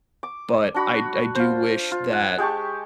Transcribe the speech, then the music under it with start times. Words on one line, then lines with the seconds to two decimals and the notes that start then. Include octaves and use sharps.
but I d I do wish that
0.23 D6
0.74 D4 F#4 B5
1.35 F4 C5
1.92 F4
2.12 F#5
2.38 G#3 G4 A5 C#6